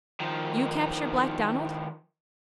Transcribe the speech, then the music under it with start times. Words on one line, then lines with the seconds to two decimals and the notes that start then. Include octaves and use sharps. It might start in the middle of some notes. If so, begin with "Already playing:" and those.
You capture Black Donald!
0.20 D#3 F3